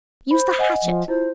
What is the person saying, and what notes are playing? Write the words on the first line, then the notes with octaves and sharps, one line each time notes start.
Use the hatchet!...
C5 B5
D#5 F#5 G#5
F3
E4 F4 C5